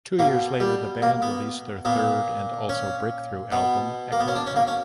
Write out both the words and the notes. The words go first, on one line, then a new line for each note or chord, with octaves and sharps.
Two years later, the band released their third and also breakthrough album, "Echo Park".
B2 A#3
G3
A#3
B3
A#2 B3
C#4
B2 B3
A#3
B3
C#4
D4
C#4
A#3
C#4